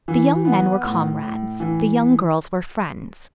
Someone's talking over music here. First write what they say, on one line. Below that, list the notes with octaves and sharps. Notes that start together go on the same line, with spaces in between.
The young men were comrades; the young girls were friends.
E3
B3
A2
A2
E3